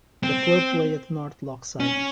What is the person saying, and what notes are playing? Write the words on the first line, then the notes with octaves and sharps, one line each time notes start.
The club play at North Lochside.
C4
C#4